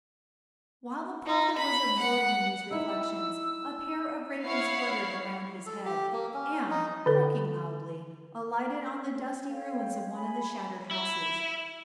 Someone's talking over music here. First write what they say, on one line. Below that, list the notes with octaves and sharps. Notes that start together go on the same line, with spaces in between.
While the prophet was absorbed in these reflections a pair of ravens fluttered around his head and, croaking loudly, alighted on the dusty ruins of one of the shattered houses.
D#4
B5
F#5
D#4 E4 E6
E4 C#5 F5 F#5 C7
A4
G4
A#3
C#4
D#4
D3 A4
A4 C#5 F5 G5
G#4 G#5 B5
E4